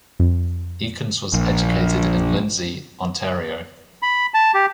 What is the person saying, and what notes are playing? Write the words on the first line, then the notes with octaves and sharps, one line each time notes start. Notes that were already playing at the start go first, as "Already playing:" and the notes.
Eakins was educated in Lindsay, Ontario.
F2
A#1
B5
A5
G4